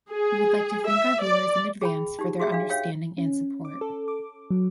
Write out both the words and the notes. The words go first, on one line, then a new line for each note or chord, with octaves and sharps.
We would like to thank our viewers in advance for their understanding and support.
G#4
E5
D5
G#4 G5 B5
D#4 G4
F#4 G#4 E5 G5
D4 F5
C#5 F5 G5
C#4
D6
A4
D6
F#3